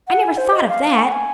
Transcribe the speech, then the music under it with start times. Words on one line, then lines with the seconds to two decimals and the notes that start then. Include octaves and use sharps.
I never thought of that.
0.08 F#5
0.23 G#5
0.37 C5
0.53 D#5
0.68 F5
0.98 G#5
1.07 F#5
1.12 G#5